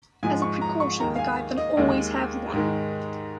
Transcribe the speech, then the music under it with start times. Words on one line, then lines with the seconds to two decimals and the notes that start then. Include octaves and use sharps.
As a precaution, the guide then always have one.
0.23 G#2 F3 G#3 G#5
0.42 C#6
0.61 A#5
0.80 C#6
1.00 D#2 D#3 G#3 A#5
1.15 F5
1.19 G#5
1.57 D#5
1.77 D#2 D#3 G#3
2.54 G#2 D#3 G#3